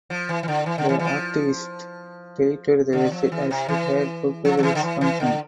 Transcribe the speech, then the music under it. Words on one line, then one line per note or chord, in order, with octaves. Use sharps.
The activist deleted the website as it had fulfilled its function.
F3
E3
E3
D3
E3
D3
E3
E3
F3
D3
F3
E3
C3
E3
F3
F3
E3
D3
E3
E3
D3